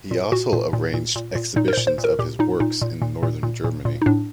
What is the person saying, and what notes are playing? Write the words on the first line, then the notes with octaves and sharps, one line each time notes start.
He also arranged exhibitions of his works in northern Germany.
A#2
A#2 F#4
A#2
A#2
A#2
A#2
A#2
A#2 D#4
A#4
A#2 C5
C5
A#2
A#4
A#2 G4
A#2 D#4
A#2 D#4
A#2
A#2
A#2
A#2
A#2
A#2
D#4
A2 D4